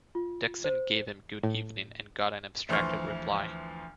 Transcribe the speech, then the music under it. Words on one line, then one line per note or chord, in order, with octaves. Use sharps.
Dickson gave him good evening and got an abstracted reply.
F4
C5
A2
D2 E3 F3 C6 C#6 F6